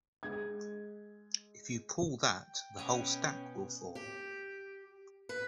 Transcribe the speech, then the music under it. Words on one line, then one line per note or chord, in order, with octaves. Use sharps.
If you pull that the whole stack will fall.
G#3 G#6
G5
B2 C#4 G#5
G4
B4